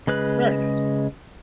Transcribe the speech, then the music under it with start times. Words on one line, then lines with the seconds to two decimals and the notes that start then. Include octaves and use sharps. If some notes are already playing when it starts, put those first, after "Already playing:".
Very nice.
0.07 C#3 G#3 B4 F#6